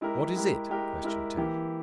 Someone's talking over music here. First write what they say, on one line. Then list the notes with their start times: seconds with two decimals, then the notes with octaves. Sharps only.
"What is it?" questioned Tad.
0.01 G#3 E4 G4 A#4
0.35 G#3 E4 G4 A#4
0.69 G#3 E4 G4 A#4
1.03 G#3 E4 G4 A#4
1.37 E3 A#3 E4 G4